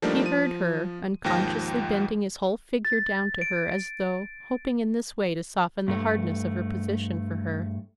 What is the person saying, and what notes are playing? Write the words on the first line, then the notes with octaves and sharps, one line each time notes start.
He heard her, unconsciously bending his whole figure down to her as though hoping in this way to soften the hardness of her position for her.
F3 G3 A3 A#3 D4 D#4
F3 D#7
D#2 G#2 F3 G5 A#6
A6
D7
G2 A3